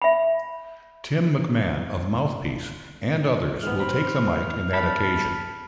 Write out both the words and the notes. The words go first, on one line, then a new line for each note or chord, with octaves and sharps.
Tim McMahon of Mouthpiece and others will take the mic in that occasion.
E5 B5
G#2 B3 F6
C4 B5
A5 B5 A6